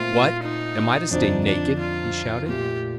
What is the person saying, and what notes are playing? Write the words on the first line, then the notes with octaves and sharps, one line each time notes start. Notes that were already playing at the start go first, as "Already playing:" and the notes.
"What, am I to stay naked?" he shouted.
Already playing: A#2 A3 C4 F4
D#4
F2 D3 F3 C4 D4 D#4
D4
F4
A#1 A#2 A3 G4